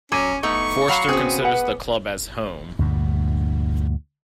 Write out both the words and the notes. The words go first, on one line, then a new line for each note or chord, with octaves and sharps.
Forster considers the club as "home".
F#3 C#4 D6 G#6 D#7
A3 B3 D#4 C#6
F#3 F5 F#5 A#5 B5
C#3 B3 C4 F#4 G#4
B4 F#5
D2 G2 A#2